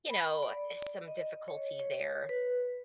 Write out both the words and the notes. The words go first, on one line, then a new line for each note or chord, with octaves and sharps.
you know, some difficulty there
B5
D5
D#5
C#5
C#5
B4